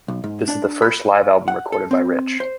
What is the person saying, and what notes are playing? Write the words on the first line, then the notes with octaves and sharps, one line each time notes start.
This is the first live album recorded by Rich.
B1
G#2
D4
B5
F#5
A4
C4
C5